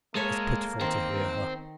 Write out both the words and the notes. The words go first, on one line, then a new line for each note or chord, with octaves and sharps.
It is pitiful to hear her.
G#3 A#3 A4 C#5 E5
D#3 C4 C5